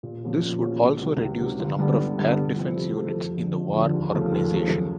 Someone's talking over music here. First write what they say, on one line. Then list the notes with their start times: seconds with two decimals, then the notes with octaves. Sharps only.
This would also reduce the number of air defense units in the war organization.
0.03 A#2
0.23 F3 A#3 C#4 F#4
0.42 A#2
0.61 F3 A#3 C#4 F#4
0.81 C#2
1.01 C3 D#3 F#3
1.20 C#2
1.40 C3 D#3 F#3
1.59 G1
1.79 G2 D3 G3 B3
1.98 G1
2.18 G2 D3 G3 B3
2.37 C3
2.56 F3 A3 C4 E4
2.76 C3
2.95 F3 A3 C4 E4
3.15 F2
3.35 D3 F3 G#3
3.54 F2
3.74 D3 F3 G#3
3.94 D#2
4.13 C#3 F3 A3
4.32 D#2
4.52 C#3 F3 A3
4.71 F#2